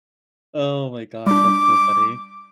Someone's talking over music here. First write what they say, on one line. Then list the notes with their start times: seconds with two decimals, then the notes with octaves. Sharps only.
Oh my gosh, that's so funny.
1.27 G3 D4 D6